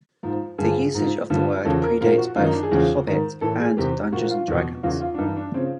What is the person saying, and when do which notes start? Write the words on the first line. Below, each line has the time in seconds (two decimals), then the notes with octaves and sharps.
This usage of the word pre-dates both "The Hobbit" and "Dungeons and Dragons".
0.23 G#2 F3
0.58 G2 D3 F3 G#4
0.95 G#2 F3
1.30 G2 D3 F3
1.65 E2 C#3 F3 A4
1.82 A#4
2.01 A#2 F3 A#4
2.18 F#4
2.35 F#2 D#3 F4
2.44 D#4
2.53 D4
2.63 G#4
2.71 E2 C#3 F3
3.07 G#2 D#3
3.41 A2 E3 A4
3.60 G#4
3.77 E2 C3 E3 G4
4.12 A#2 F#4
4.16 F3
4.30 F4
4.48 E2 B2
4.83 E2 C#3 E3 F4
5.01 F4
5.14 D4
5.18 G2 E3 D#4
5.37 D4
5.54 C#3 F3 C4